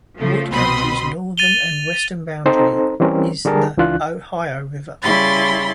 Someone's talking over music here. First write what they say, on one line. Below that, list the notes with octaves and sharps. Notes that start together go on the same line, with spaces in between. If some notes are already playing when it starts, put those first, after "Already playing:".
Wood County's northern and western boundary is the Ohio River.
C#3 F3 A3
C2 B2 C4 B5 C6 D#6
A6 D#7 F7 G7
C4 D#4 A4 C5 A#5
E3 G3 C4 C#4 A#4
D3 G3 G#4 A#4 A5
C#2 E3 D4 F4 F#6
C#3 G3 E4 B5 C6 A6